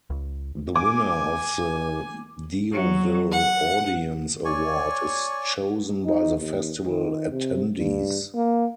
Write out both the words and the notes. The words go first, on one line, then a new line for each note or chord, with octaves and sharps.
The winner of the Deauville Audience Award is chosen by the festival attendees.
C#2
G#5 D6
F#3
F#5
C#5 D5 G#5 C#6
D#4
D#2
D#3
C3
G2
A#3